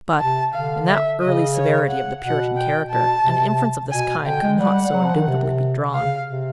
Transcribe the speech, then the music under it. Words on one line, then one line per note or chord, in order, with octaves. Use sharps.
But, in that early severity of the Puritan character, an inference of this kind could not so indubitably be drawn.
C3 A5
D3 F5
E5
C#3 D#5
C#5
F#5
B2 F#5
G5
B2 A5
C3
B2 G#5
D3 G5
G#3
G3 F#5
F#3
F3
D#3
C3
C#3 F5
C3